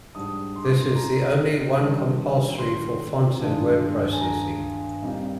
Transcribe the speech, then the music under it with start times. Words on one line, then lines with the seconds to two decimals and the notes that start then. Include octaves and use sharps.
This is the only one compulsory for fonts and word-processing.
0.15 G#2 G3 D4 D#6
0.56 C6
0.63 D6
0.70 C6
0.96 A#5
1.77 D#3 G3 D4
2.58 C6
3.40 G2 D#3 G#3 D4
4.12 G#5
4.21 A#5
5.02 A#2 G3 C4 D#4